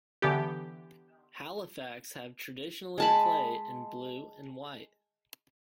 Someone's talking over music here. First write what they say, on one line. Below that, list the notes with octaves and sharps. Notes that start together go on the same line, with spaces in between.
Halifax have traditionally play in blue and white.
D3 E3 B3 G4
G#3 A5 B5